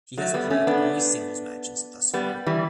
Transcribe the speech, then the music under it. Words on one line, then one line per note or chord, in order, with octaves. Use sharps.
He has played only singles matches thus far.
F#3 A3
G3 B3
A3 C#4
B3 D4
G3 B3
E3 G3